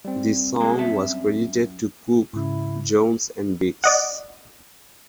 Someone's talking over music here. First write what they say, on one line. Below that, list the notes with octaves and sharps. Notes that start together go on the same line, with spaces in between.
The song was credited to Cook, Jones and Biggs.
G3 C4
G#3 A#3
F#2 E5 A5
G#2 C#3 E4
D5 D#5 F#5